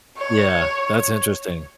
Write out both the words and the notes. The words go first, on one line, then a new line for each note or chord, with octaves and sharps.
Yeah, that's interesting.
C#5